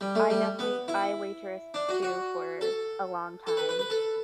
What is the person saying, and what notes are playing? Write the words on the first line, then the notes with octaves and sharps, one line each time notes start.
I definitely I waitress too for a long time,
G3
A3
G3
B3
E4
D4
F#4
F#4
A4
A4
B4
B4
B4
A4